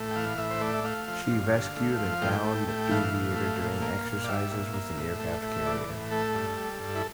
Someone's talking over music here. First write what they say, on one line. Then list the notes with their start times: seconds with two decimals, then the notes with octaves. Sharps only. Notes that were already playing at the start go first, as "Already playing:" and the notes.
She rescued a downed aviator during exercises with an aircraft carrier.
Already playing: A2 A3
0.11 G5
0.16 E3 F5
0.38 A2 E5
0.51 C5
0.61 A3 D5
0.74 E5
0.84 A3 F5
1.08 F3
1.31 G2
1.53 D3
1.76 A3
1.99 F3
2.21 A2 G5
2.45 A3
2.68 A2
2.91 E3 F5
3.14 A2
3.36 A3
3.59 A#2
3.82 A#3
4.05 A#2
4.24 D5
4.28 G3 E5
4.51 A#2
4.74 A#3
4.97 A2
5.20 A3
5.42 A2
5.66 E3 D5
5.89 A2
6.11 A3 A4
6.34 G2
6.57 G3
6.80 G2
6.95 E4